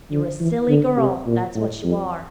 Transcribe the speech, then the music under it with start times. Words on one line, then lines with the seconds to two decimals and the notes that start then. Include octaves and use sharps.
You're a silly girl, that's what you are!'
0.11 D3
0.40 E3
0.69 D3
0.97 C3
1.26 A#2
1.56 A2
1.84 F2